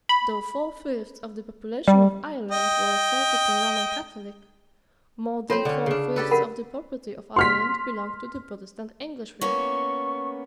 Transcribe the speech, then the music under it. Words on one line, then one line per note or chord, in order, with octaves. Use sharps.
Though four fifths of the population of Ireland were Celtic and Roman Catholic, more than four fifths of the property of Ireland belonged to the Protestant Englishry.
B5
G3
D#5 G5
C4 F4 A4 C5 C#5
D3 C#4
C#3 D4
G4 A4 B4
A#4 F#5 B5
C6 F6 B6
A#3 B3 C#4 C#6